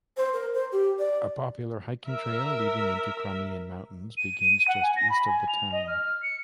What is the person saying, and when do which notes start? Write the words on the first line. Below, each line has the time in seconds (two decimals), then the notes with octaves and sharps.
A popular hiking trail leading into Crimean Mountains begins just east of the town.
0.17 C5
0.33 A#4
0.54 C5
0.72 G4
0.99 D5
2.07 A#4 E5
4.17 D#7
4.68 F#5
4.83 G#5
4.96 A#6
5.10 B5
5.26 G#5
5.49 F7
5.72 D#5
5.88 F6
6.22 C#7